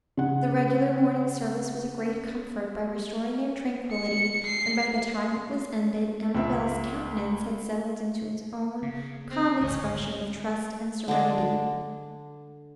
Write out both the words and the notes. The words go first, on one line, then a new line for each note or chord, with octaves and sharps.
The regular morning service was a great comfort, by restoring their tranquillity, and by the time it was ended, Amabel's countenance had settled into its own calm expression of trust and serenity.
C#3 F#5
C#7
C7
C#2 E5
C#3
C4
G#1 D2 A2 C#4
D3 D4